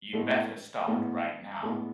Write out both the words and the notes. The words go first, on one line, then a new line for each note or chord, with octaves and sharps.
You'd better start right now.
A2 G#3 B3 D4 A4
A2 G#3 B3 D4 A4
A2 G#3 B3 D4 A4